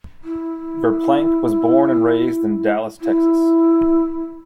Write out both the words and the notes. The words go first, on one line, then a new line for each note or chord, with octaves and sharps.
Verplank was born and raised in Dallas, Texas.
E4
E4